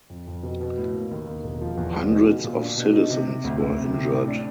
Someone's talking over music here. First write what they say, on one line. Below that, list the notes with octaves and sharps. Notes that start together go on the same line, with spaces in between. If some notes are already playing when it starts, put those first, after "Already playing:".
Hundreds of citizens were injured.
F2
F2
B2
B2
A2
A#3
D#2
D#2
E1
F3
E2
G#3
B2
B2
A#2
D4
B2
D#4
C3
C3
D2
D2
C3
C3
A2
D4